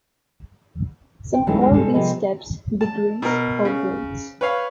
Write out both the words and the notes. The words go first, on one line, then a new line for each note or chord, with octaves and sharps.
Some call these steps degrees or grades.
G5
D#3 E3 F#3 G#3 A3 C#4
D2 D#3 G3 G#3
C3 G3 G#3 A4
C3 F3 B3 G#4 D#5
A5
B2 A#4
C#3
B4 C#5 F5